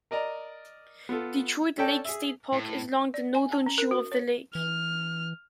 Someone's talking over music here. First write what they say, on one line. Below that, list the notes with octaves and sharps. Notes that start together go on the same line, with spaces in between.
Detroit Lake State Park is along the northern shore of the lake.
A#4 D5 D#5 A#5
B3 F4 A4
C#4 A4 D5 G5 A5
G#4 E5
A2
D5
G#5
A5
C#4
A#4
F#4
C#5
E3 F6